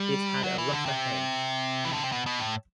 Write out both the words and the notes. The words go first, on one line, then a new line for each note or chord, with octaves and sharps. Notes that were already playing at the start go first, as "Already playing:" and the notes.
It had a rougher edge.
Already playing: G3
F#3
E3
D3
C3
E3
D3
C3
B2
B2
A2